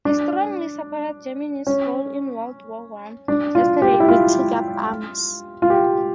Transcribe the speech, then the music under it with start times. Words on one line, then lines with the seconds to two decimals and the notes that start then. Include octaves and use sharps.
He strongly supported Germany's role in World War One: Yesterday we took up arms.
0.05 D4
1.67 C#4
3.28 D4
3.55 F4
3.82 G4
4.00 E4
4.08 F4
5.62 F4
5.70 G4